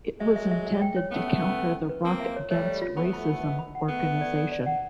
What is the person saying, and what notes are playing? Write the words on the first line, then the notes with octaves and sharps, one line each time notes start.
It was intended to counter the Rock Against Racism organisation.
F#3 G#3 E5
E5
E5
E5
G5
C#5
A3 B3 C#4
C#4
C#4
C#4
C#4
B4
A#3 C4 F4
E5
C#5
G3 A3 C#5
C#5
F4
A3 B3 B5
B5
B5
D#5
B5
F#5
A3 B3 F#5
B4
D5
D5
D5
F#5